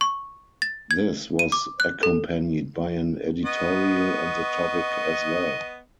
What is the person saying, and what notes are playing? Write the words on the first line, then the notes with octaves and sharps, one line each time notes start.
This was accompanied by an editorial on the topic as well.
C#6
A6
G#6
D#7
D6
F#6
A4
B3 D#5 C#6